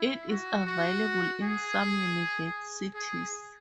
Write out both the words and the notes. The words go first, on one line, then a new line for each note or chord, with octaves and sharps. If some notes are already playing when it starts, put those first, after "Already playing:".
It is available in some universities.
Already playing: E4
F#4
F#4
G#4
G#4